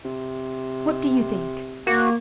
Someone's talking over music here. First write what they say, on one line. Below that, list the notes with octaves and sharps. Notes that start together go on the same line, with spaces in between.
What do you think?
C3
A#3 F#4